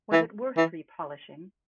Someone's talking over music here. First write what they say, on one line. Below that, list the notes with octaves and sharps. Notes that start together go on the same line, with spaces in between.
Was it worth re-polishing?
E3
E3